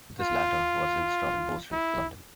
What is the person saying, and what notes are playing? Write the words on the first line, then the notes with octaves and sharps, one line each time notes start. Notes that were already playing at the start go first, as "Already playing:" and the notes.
This latter was installed in Bow Street, London.
F4
E4